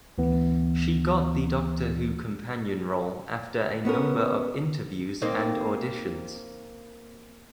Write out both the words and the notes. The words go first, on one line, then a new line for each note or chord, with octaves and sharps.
She got the Doctor Who companion role after a number of interviews and auditions.
D2 E3 B3
B3 C#4 G#4 A#4
A#3 C4 D#4